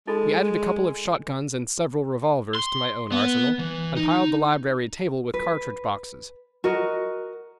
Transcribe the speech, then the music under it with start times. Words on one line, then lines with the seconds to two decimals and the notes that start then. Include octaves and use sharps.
We added a couple of shot-guns and several revolvers to my own arsenal, and piled the library table with cartridge boxes.
0.07 G#3 D#4 F4 A4
2.55 C6
3.12 B3
3.59 E3
3.96 D#4
5.34 B4
6.64 F#4 A#4 D#5